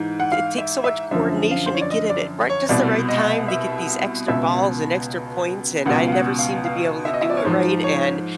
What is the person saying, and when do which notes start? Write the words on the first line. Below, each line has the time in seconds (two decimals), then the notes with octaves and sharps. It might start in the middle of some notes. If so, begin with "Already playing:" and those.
it takes so much coordination to get it at right just the right time to get these extra balls, and extra points, and I never seemed to be able to do it right, and
Already playing: G#2 E3
0.20 F#5
0.32 F5
0.58 E5
0.84 E5
1.11 F#2 D3 F3 E5
1.51 F5
1.66 C5
1.74 C#5
1.81 D5
1.91 D#5
2.10 D5
2.50 C#5
2.69 C2 B2 D5
3.08 D#5
3.48 E5
4.28 C#2 B2 E5
5.86 C#2 B2 F#5
6.08 F5
6.12 F#5
6.39 F5
6.65 F5
7.05 E5
7.14 D#5
7.21 E5
7.30 D5
7.37 C#5
7.45 G#2 F3 C5
7.84 C#5